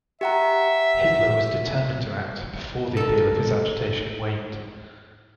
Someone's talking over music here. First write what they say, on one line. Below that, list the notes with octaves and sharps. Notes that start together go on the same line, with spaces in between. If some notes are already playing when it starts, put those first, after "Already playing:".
Hitler was determined to act before the appeal of his agitation waned.
G4 E5 F#5 A#5
A4 A#4